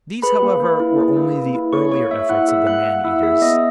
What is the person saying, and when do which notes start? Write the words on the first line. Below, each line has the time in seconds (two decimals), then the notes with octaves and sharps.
These, however, were only the earlier efforts of the man-eaters.
0.22 G#4 B4 B5
0.42 A#3
0.60 A#3
0.80 E4
0.98 G#4
1.17 A#3
1.35 A#3
1.55 E4
1.73 G#4 C#5 C#6
1.91 A#3 C#5 C#6
2.11 A#3 E5 E6
2.29 E4 F#5 F#6
2.48 G#4 E5 E6
2.67 A#3 F#5 F#6
2.85 A#3 F#5 F#6
3.04 E4 E5 E6
3.23 G#4 E5 E6
3.42 B3 D#5 D#6